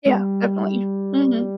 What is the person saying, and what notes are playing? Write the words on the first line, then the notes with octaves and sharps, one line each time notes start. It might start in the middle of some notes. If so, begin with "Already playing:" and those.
Yeah. Definitely. Mhm.
G#3
G3